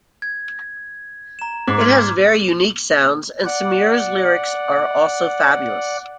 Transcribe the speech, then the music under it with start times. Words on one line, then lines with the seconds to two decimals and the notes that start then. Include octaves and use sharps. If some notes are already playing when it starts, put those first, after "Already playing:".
It has very unique sounds, and Sameer's lyrics are also fabulous.
0.22 G#6
1.39 A#5 E7
1.68 G#2 D6
1.80 C6 F6 G#6
3.45 D5 F#5